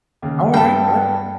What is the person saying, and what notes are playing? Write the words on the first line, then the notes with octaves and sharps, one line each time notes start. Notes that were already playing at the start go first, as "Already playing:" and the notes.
Alright, alright.
D#2 C#3
G2 A4 G5